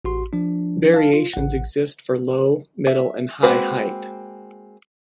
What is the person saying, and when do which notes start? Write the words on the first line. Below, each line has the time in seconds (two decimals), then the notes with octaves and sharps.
Variations exist for low, middle and high height.
0.04 A1 F#4 C6
0.33 F3 D4
0.94 F5 A5
1.14 F4
1.33 A1 F#5
2.87 E5
3.43 G#3 A#3 C4 F#4 B4